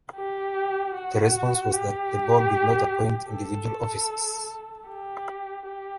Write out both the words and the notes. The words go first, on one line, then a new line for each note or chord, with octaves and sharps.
The response was that the Board did not appoint individual officers.
G4
F#4
G4
A4
G4
G4